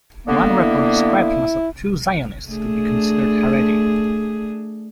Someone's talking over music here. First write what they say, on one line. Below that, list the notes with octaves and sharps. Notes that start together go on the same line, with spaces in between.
One report described him as too Zionist to be considered Haredi.
D3 A#3 B3
E4
A3 D4 G#4